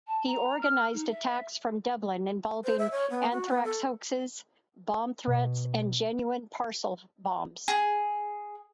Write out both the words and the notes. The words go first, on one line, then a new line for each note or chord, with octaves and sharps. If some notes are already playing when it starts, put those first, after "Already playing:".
He organised attacks from Dublin involving anthrax hoaxes, bomb threats, and genuine parcel bombs.
A5
A#5
F6
D#4
E5
C5
E5
C#5
B3
F#4
B3
A4
B2
G#4